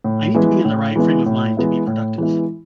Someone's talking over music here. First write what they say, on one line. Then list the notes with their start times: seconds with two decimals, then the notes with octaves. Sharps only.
I need to be in the right frame of mind to be productive.
0.04 A2
0.35 E3 G#3 B3 E4
0.65 A2
0.96 E3 G#3 B3 E4
1.26 A2
1.57 E3 G#3 B3 E4
1.87 A2
2.18 E3 G#3 B3 E4